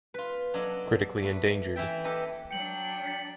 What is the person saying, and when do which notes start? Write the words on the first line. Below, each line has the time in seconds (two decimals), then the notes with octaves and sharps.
Critically endangered.
0.14 F4 B4
0.54 F#3 D4 A4 D#5
1.22 A3 B4
1.76 E3 E4 E5 G5
2.04 G4 A4 B4 D#5
2.51 F#3 D4 G5 C#7 F#7
3.04 A6 B6 C#7